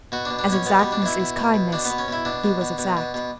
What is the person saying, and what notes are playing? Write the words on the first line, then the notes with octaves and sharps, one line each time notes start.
As exactness is kindness, he was exact.
B2 F#4
D4
B2
D4
B2 C#4
B2 B3
B2 G3
D4
B2 E4
B2
B2
B2
B2 D4
B3
B2
C#4
B2 E4
B2 D4
B2
B2
B2
B2
B2